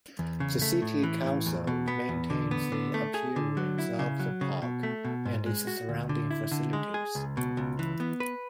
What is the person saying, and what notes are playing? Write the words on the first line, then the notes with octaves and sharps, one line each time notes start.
The City Council maintains the appearance of the Park, and its surrounding facilities.
E2
C#3
A3
A2
E3
A2
E2
B2
B3
E2
D3
B3
D3
A3
G#4
D3
F#3
E4
C#3
F#3
C#3
B2
A3
B2
G#2
G#3
F#4
D2
D3
E4
D3
G#3
G#4
C#2
B2
C#2
E3
B3
B4